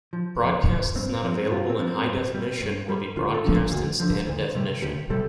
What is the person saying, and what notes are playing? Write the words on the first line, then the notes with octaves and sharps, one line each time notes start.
Broadcasts not available in high definition will be broadcast in standard definition.
F3
F2
F3
G2 C4
C4
F3
C4
G2 F4
C4
F3
C4
G2 C4
G3
G2
G3
D2 F4
A4
D3 F3
D2
D3 F3
D2
C3 G3
D2 G4
C3 G3 A4